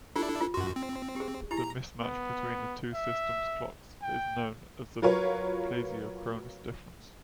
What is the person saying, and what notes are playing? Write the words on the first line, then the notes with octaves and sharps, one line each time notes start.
The mismatch between the two systems' clocks is known as the plesiochronous difference.
D4 E4 F4 G4 A4
F4
F#2 F#4 C6
C4
G4 G#4
D#4 E4 G4 A#5
B3
E5
G5
F#3 F4 A#4 B4 C#5